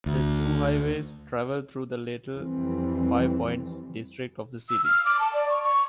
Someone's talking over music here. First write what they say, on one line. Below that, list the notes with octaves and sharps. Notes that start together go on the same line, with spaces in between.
The two highways travel through the Little Five Points district of the city.
D2
F2 E3 G3 C4
E6
F6
D6
A5
D5
C#6
C#6